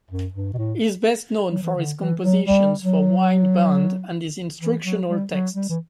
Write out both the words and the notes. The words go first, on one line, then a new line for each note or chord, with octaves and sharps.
He is best known for his compositions for wind band and his instructional texts.
F#2
G2
B2
A2
F#3
E3
D3
E3
F#3
G3
F#3
E3
F#3
G3
F#3
G3
E3